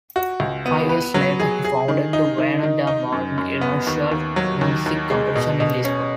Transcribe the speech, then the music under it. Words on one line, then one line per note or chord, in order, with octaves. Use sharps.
Five years later, he founded the Vianna da Motta International Music Competition in Lisbon.
F#4
C#2
B3
B4
F#3
G#4
G#4
D#3
D#4
D#3
D#3
D#4
F#2
F#2
B3
D#2
D#2
F#3
D#2
D#2
G#3
B2
B2
C#4